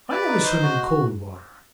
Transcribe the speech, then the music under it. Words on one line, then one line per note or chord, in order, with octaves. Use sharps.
"I never swim in cold water."
B4 D5
D#4
C5 D#5
F#4